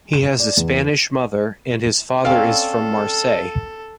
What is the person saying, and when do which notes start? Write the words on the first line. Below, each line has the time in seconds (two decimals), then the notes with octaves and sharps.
He has a Spanish mother, and his father is from Marseille.
0.13 E7
0.40 D5
0.57 E2
2.25 C4 C#4 A4 D5 F5